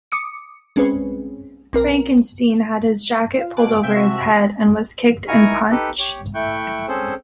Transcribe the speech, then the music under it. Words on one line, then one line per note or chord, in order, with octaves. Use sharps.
Frankensteen had his jacket pulled over his head and was kicked and punched.
D6 D#6 C#7
G#3 C4 C#4 G#4 B4
B1 C4 A#4
F4 F5
B2 F5 G#5 A5 D6 F#6 D7
C3 E5 G5
F#4
D#4 E4 A#4 G#5 A#5 C#6
D#4 G4 A4 B4
G4 C#5
A3 E4 G5 C#6 F#6 G6
C4 C#4 G#4 A4 C5